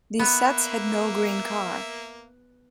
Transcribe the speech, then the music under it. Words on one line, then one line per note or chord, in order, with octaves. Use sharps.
These sets had no Green car.
A#3 B3 E5